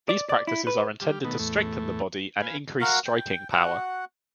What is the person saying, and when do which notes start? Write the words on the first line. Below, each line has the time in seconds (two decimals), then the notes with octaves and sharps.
These practices are intended to strengthen the body and increase striking power.
0.09 D5
0.29 D5
0.47 E4
0.67 B4
1.01 G3 G4 F6
1.24 B2 D#3 A3 B3
1.39 E2 A2 A3
2.42 B4 F5 G#5
2.81 F#4 A#4 F5 F#5
3.06 G5
3.51 F#4 F#5